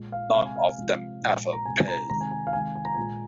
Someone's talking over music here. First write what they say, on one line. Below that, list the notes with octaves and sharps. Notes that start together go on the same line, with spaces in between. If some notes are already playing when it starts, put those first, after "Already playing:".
None of them ever pay.
Already playing: A#2 G#3
F5
C3 G#3 F5
G#5
F5
C3 F3 G#3
A#2 F3 G#3
A#5
C3 G#3 G#5
A#5
C3 D#3 G#3 A#5
G#5
G#5
F5
C3 D#3 G#3 G#5
G#5
A#5
A#2 G#3 G#5